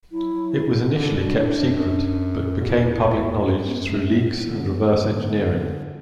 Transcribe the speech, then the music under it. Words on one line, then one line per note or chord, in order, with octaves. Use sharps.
It was initially kept secret, but became public knowledge through leaks and reverse engineering.
F#3 E4
F#3
E3
D3 D4
B2
A2
F#2
F#2
E2 F#4
E4
D4
E4
F#2 D4
B3
A3
B3
A2 B3
D3
E3
E3
D3 B3